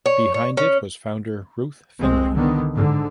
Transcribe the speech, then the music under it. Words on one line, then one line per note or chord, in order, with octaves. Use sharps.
Behind it was founder Ruth Finley.
C#5
C#5
C#4
C2 G#3 C4
D3 D#3 B3
G#2 D3